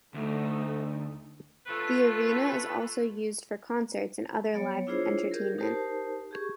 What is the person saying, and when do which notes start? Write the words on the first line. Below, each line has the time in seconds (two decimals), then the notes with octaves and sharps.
The arena is also used for concerts and other live entertainment.
0.14 D2 A3 D#4
1.66 A3 B3 F4 A4 B4 C#5
4.53 F#3 B3 C#5
4.87 D4 E4 F4 G#4 C5 C#5
5.31 G4 G#4 A#4
5.58 D#4 G4 A#4 C5 A5
6.31 G4 G#4 C#6